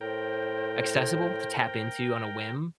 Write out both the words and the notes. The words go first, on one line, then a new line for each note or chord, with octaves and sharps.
accessible to tap into on a whim.
A2 A#4 C5 G5